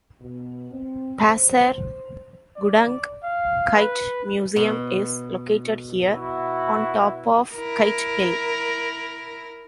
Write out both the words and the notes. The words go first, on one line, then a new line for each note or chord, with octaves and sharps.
Pasir Gudang Kite Museum is located here, on top of Kite Hill.
B2
C4
C5
D5
F5
B4
B2
E4 F#4
E4 A#4